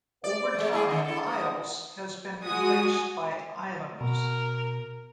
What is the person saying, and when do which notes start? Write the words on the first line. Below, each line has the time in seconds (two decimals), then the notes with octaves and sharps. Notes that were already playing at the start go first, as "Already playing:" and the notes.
Over time "Isles" has been replaced by "Islands".
0.24 D5
0.54 G#3 A3
0.72 G#3 E4 G#4
0.90 D3 D#3
1.04 E4 A4
1.27 B3
2.43 G#3 F#4 G#5 D#6
4.01 B2 A#4